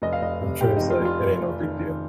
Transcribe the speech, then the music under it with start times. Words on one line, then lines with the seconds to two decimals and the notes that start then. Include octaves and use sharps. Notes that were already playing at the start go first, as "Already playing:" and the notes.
I'm sure he's like, "It ain't no big deal."
0.02 F1 D#5
0.13 F5
0.21 F1 D#5
0.42 C3
0.61 F1 G4
0.77 F2 D#4
0.90 F4
1.00 F1 F4
1.20 C3
1.40 F1
1.61 D#3
1.79 D#3